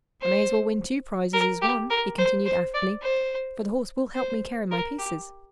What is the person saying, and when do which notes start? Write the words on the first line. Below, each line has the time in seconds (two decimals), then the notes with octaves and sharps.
"I may as well win two prizes as one," he continued, affably, "for the horse will help me carry my pieces."
0.21 C5
1.33 A#4
1.61 G4
1.89 A#4
2.18 C5
2.45 C5
2.74 D5
3.02 C5
4.14 C5
4.71 A#4
4.98 G4